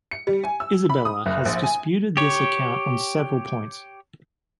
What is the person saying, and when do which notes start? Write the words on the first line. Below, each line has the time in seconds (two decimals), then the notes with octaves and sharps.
Isabella has disputed this account on several points.
0.11 C#7
0.27 G3
0.44 G#5
0.60 E6
0.89 B5
1.05 D#6
1.26 F#1
1.46 A#1
1.63 G#5
2.17 G4 C#5